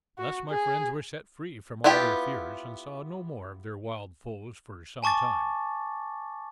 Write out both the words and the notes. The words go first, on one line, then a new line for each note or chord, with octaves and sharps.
Thus my friends were set free from all their fears, and saw no more of their wild foes for some time.
F#4
G#4
B3 E4 F4 G4 G5
G#5 A5 C#6 D6 A6